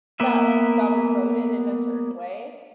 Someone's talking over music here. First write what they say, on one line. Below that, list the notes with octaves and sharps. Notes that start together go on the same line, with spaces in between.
that, like, got eroded in a certain way.
A#3 B3 B4 E5